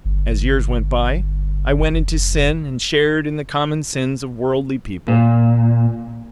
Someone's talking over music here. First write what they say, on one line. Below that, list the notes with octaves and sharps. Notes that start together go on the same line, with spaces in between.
As years went by, I went into sin and shared in the common sins of worldly people.
G1
F1
A#2